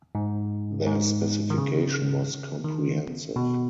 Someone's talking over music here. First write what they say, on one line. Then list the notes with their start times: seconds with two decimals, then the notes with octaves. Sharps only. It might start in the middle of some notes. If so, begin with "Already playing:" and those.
Their specification was comprehensive.
0.15 G#2
0.86 G#2
1.50 D#3
1.58 C#3
2.65 D#3
3.36 B2